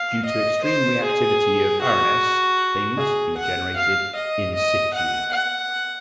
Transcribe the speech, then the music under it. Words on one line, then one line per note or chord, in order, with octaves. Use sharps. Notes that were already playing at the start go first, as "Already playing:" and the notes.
Due to extreme reactivity of arynes they must be generated "in situ".
Already playing: F5
D#5
C5
G#4
F#4
G#4
F#5
F5
D#5
D#5
F#5
F#5